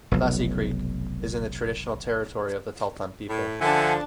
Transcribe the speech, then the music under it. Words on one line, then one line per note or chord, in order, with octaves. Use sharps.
Classy Creek is in the traditional territory of the Tahltan people.
F1 B1
A2
D3 F3 D4 E5 F#5 G#5 A5